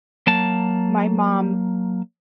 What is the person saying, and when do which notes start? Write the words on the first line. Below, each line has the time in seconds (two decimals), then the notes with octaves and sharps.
my mom
0.27 F#3 A#3 A5